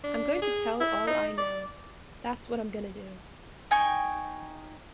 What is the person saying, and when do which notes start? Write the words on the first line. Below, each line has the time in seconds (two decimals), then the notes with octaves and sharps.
I'm going to tell all I know, that's what I'm gonna do.
0.03 D4
0.42 G#4
0.80 E4
1.07 D#4
1.38 D5
3.71 D#4 G5 G#5 C#6